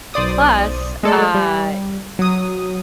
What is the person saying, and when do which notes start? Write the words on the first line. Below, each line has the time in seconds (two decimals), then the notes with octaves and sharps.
plus, uh,
0.14 B1 C5 D5 D#6
1.03 G#3 A3 A4 D5
1.35 G3
2.19 F#3 D#6